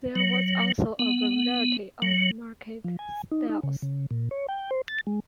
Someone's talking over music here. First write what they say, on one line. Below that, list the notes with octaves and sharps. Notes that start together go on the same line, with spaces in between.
There was also a variety of market stalls.
F#3
B3
F#3
F3
G#5
D#4
D#4
C#3
C#3
A#2
C#5
G5
C5
A6
G#3